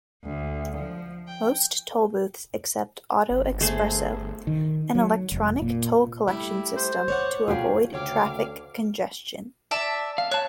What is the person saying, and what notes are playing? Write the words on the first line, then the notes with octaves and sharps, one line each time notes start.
Most tollbooths accept "AutoExpreso", an electronic toll collection system, to avoid traffic congestion.
D2
F3
G5
G1
A3 G#4 C5
D#3
F#3
F1
A#2
G3 A3 E4
C5
C#5 D5 F#5
B2 F4 G4 G#4
D2 C#3 C#5 F5 G5 D6
D5 E5 A5
F5
C#5 A5 F#6